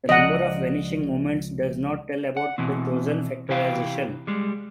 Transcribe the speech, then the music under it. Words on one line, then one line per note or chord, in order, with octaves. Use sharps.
The number of vanishing moments does not tell about the chosen factorization.
C#2 F3 D5 D#5 F#5
F#5
B2 E3 C4
C3 E3 G4 F5
G3 G#3